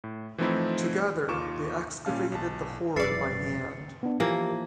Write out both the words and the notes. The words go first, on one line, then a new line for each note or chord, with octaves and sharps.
Together they excavated the hoard by hand.
A2
E3 F3 A3 C4 D#4 E4
D#2 D#4 F4 C#6 D6 E7
A#2 G3 C#4 F5 A5
B1 A5
E1 F#2 B4 D5 E5 A6 C7 C#7
B3 D4
E3 F3 A#3 G4 A#4